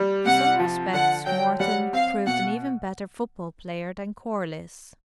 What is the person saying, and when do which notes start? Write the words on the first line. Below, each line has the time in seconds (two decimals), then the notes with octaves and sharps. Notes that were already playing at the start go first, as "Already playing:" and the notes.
In some respects Morton proved an even better football player than Corliss.
Already playing: G3
0.26 C3 F#5
0.60 F3
0.93 D3 F#5
1.26 F#3 G5
1.60 G3 F#5
1.93 C4 F5
2.26 B2 F#5